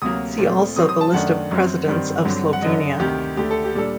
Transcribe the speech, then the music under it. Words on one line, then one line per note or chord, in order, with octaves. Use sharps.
See also the list of presidents of Slovenia.
D2 C3 F#3 A#3 D#6
A#2 A3 C4
C3 F#3 C4 D#6
D#6
A5
F#2 D#3 A3 D4 F#5
F#2 F#3 C4
G2 D#3 G3 C4
G2 D3 F#3 C4
F#5
F#2 D3 F#3 D#5
D2 C3 D#3 G4
D2 D3 A3 G4
A4
G4
A#2 G3 D4 A4